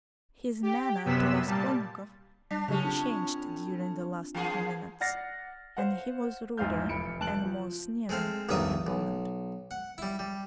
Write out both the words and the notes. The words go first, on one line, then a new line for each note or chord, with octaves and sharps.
His manner to Raskolnikov had changed during the last few minutes, and he was ruder and more sneering every moment.
G4
F#2 C3 B3 E6 B6 E7
A#2 G3 A5
G3 D4 B6
A2 C#3 F#3 C#4 G4
C4 D4 F4
E3 A#3 G#4
D5 F#5 F6 A6 A#6 C7
C5 F5 F#5
A#1 E2 G#2 F5 F6 G6
F1 B5 C#7 D7
F1 D2 A5 F#6 D7 F#7
F3
G#3 A3 C4 F5
A1 E2 G2 D#3 E5 D#6
B1
F#5
G3 E4
G3